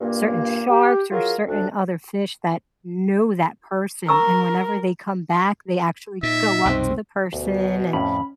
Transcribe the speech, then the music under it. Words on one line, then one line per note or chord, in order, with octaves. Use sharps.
certain sharks or certain other fish that know that person, and whenever they come back, they actually go up to the person and
G2 A#2 A#3
G4
F#3 F4 G#4 A#4
D2 D4
A#4 A#5 C#6 E6
A#2 D#4 E5
C2 F#2 B2 C4
D2 B2
F2 A2 C#4 B5